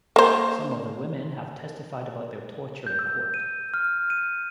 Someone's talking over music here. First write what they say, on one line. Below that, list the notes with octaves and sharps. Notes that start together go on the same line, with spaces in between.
Some of the women have testified about their torture in court.
A#3 C5
G6
E6
D#7
F6
D#7